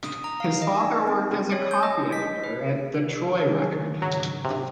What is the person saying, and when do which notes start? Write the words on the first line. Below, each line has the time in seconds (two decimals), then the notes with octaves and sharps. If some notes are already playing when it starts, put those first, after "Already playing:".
His father worked as a copy editor at "The Troy Record".
0.04 D#6
0.24 A#5
0.40 F5
0.62 D#5
0.80 D#4
1.07 C4
1.52 C#5
1.71 G6
1.83 D#5
2.12 B6
2.44 B4
3.32 D#3 F#3 C#5
4.02 G#2 C#3 F#3 A#5
4.45 C3